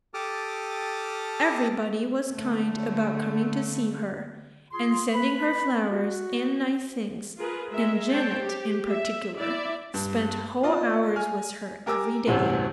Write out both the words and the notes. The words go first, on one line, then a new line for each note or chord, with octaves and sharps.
Everybody was kind about coming to see her, and sending her flowers and nice things, and Janet, in particular, spent whole hours with her every day.
G4 A4 A5 D6 D#6 F6
D3 A3
F4 G#4 C6
B4 B5
F#4
F4 G#4 A#4 B4
G#3 A#4 E5
C4 C5 C#5 G5 A5
G4
E5
E4 D5 E5
G2
F4 D5 D#5
G#5 F6
G4 A#4 G#5 D6 E6
A1 D2 G2 C3 E3